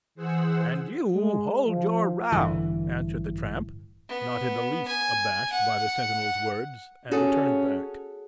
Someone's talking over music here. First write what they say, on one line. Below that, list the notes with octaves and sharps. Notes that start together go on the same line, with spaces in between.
"And you hold your row," answered the tramp, not in the least abashed by the sentinel's words, and turned back.
E3 G#4 C5 F#5 E6
G#3
F3
A1 G2 D3 E3
B3
G#5
F#5
C#4 F#4 G#4 A4